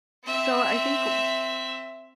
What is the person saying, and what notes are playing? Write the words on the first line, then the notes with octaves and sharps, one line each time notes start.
So I think w
C4 E5